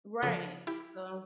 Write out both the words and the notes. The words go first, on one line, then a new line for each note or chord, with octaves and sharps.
Right, so
C#3 F3 F4 A4
E4 G4